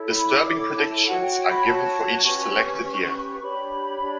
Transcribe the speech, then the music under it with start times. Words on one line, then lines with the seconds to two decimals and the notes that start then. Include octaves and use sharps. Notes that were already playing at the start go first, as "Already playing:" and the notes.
Disturbing predictions are given for each selected year.
Already playing: E4 A4 C#5
0.09 B5
0.29 D6
0.49 E4 A4 C#5 D6
0.78 A5
1.07 F#4 C#5 F#5
1.22 G5
1.37 G5
1.51 B5
1.66 F#4 C#5 A5
2.24 C#4 G4 B4 C#6
2.82 C#4 G4 B4
3.41 D4 G4 C#5 B5
4.00 D4 G4 C#5